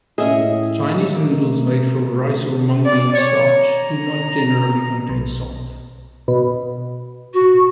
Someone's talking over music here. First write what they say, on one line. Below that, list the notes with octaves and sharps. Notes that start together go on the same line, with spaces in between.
Chinese noodles made from rice or mung bean starch do not generally contain salt.
A2 C#4 G#4 D#5 E5
A3 A#3
D5
C#5
A#5
B1
B2
F#4